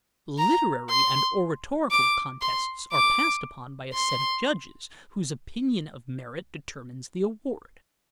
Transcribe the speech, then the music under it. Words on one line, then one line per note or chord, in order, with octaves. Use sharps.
Literary and oratorical contests are passed upon by a set of judges whose opinion of merit determines the award.
A#5
C6
D6
C6
D6
C6